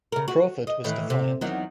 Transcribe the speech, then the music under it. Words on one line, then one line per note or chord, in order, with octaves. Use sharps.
Crawford was defiant.
C#3 A#4
F#4
D#5
A2 D#3 E3
C3
E2 D#3 F#3